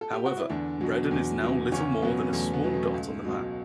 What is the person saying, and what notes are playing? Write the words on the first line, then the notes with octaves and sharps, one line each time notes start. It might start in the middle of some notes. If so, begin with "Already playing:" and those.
However, Redden is now little more than a small dot on the map.
A4
G4
F#4
E4
E2 D3 D4
B2 F#3
E2
B2 F#3
E2 C#3 C#4
B2 F#3 B3
E2 A3
B3
B2 F#3
A3
C#2
B2 F#3